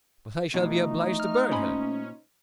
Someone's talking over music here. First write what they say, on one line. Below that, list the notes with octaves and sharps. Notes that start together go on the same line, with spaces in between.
"But I shall be obliged to burn her."
B2 E3 F3 A3 D#4
F6
A#2 C#4 C5 B5